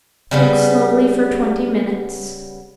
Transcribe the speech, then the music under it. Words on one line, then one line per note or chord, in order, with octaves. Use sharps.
Cook slowly for twenty minutes.
C#3 G3 B3